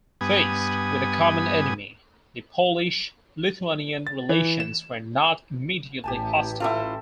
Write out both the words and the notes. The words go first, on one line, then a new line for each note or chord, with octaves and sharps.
Faced with a common enemy, the Polish-Lithuanian relations were not immediately hostile.
G2 B3 G#5 D#6
A6
E3
E7
A1 G4 G#5 A5
C#4 E4 F4 A4 E5